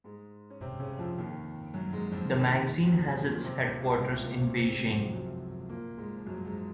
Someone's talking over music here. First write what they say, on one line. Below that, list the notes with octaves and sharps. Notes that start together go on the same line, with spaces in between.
The magazine has its headquarters in Beijing.
G#2 G#3
C#4
C3 C4
C#3 C#4
F2 F3
D#2 D#3
F#2 F#3
G#2 G#3
F2 F3
D#2 D#3
F#3
F2 F3
F#3
G#2 G#3
A#2 A#3
C3 C4
C#2 C#3
C2 C3
C#2 C#3
A#2 A#3
C3 C4
C3 C4
G#2 G#3
F#2 F#3
F2 F3
F#2 F#3
A#2 A#3
G#2 G#3
F3
F#2 F#3
G#2 G#3